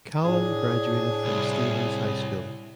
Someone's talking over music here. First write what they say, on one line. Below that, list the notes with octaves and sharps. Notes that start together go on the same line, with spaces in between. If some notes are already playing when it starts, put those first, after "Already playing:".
Callum graduated from Stevens High School.
A2 D4 G#4
C2